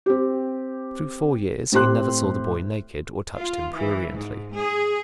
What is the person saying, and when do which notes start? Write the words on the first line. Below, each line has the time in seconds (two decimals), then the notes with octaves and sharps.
Through four years he never saw the boy naked or touched him pruriently.
0.06 C4 G4
1.72 A2 C4 G4 C6 F#6
3.36 F4
3.75 E3
4.13 G#2
4.54 G#4